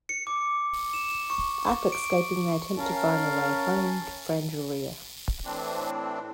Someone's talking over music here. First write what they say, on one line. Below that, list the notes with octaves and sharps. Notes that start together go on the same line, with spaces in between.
After escaping, they attempt to find their way home to Frangeria.
C#7
D6
E7
C#6
D7
C#4 A#4 F5 A5
A2 E3 C4 D4